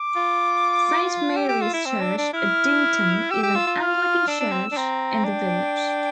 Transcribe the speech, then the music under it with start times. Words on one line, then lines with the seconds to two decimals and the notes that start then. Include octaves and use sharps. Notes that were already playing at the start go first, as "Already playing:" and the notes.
Saint Mary's Church, Addington is an Anglican church in the village.
Already playing: D6
0.16 F4
1.36 G4 E6
1.49 G4
1.61 F4
1.73 E4
1.86 C4
2.02 D4
2.18 D4
2.33 E4 F6
3.30 G4 E6
3.43 G4
3.55 F4
3.67 F4
3.80 F6
4.27 D4 E6
4.40 D4
4.52 C4
4.72 D4
4.77 C4 A#5
5.25 D4 G5